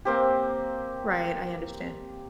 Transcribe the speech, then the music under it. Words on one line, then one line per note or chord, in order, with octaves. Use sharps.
Right. I understand.
A#3 C4 G4